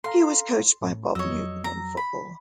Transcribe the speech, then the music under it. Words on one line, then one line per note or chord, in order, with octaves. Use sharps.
He was coached by Bob Newton in football.
A4 F5 A#5 C6
A2
F2 F#3 C#5 D#5 E6
A#5
B5